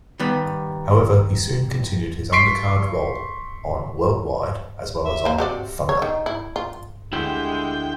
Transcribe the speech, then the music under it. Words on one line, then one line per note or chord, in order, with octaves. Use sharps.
However, he soon continued his undercard role on "WorldWide" as well as on "Thunder".
D#3 G3 B3
C6 C#6 B6 C7 D7
E5
A#3 C5
C3 F#3 C5 D5
C#5
D#3
E4
F4
D2 G#3 E4 G4 G5